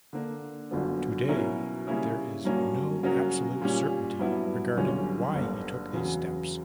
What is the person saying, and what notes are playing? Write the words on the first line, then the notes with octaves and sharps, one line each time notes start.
Today, there is no absolute certainty regarding why he took these steps.
D3 A#3 D4
G1 F#2 D3 F#3 B3
B2 F#3 C#4 E4 A#4
C#3 G3 A#3 C#4 E4
G2 F#3 A#3 C#4
C#3 F#3 C#4 F#4 A#4
A#2 G3 C#4
G2 F#3 B3 E4
G1 F#2 D3 G3 C#4
G1 G2 D3 A#3 D4
E2 C#3 F#3